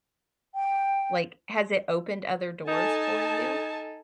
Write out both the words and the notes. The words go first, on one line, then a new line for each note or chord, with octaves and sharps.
Like, has it opened other doors for you?
G5
D#4 A4 G#5 A5